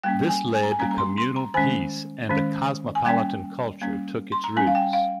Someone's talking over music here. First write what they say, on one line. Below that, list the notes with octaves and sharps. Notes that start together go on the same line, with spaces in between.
This led to communal peace and a cosmopolitan culture took its roots.
G3 A#3 C#4 G5
G#5
G#5
A#5
G#5
G3 A#3 C#4 A#5
A#5
C6
C6
A#5
D#3 G#3 C#4 G#5
D#3 G#3 C#4
G#5
G3 A#3 C#4 G5
G3 A#3 C#4
C6
A#5
G3 C#4 G#5
F5
G5
F5